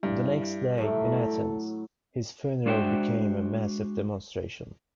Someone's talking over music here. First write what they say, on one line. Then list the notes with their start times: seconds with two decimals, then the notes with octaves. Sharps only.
The next day, in Athens, his funeral became a massive demonstration.
0.03 G2 E4
0.78 A2 F#3 A4
2.66 G#3 D4 F#4 C5 E5 G5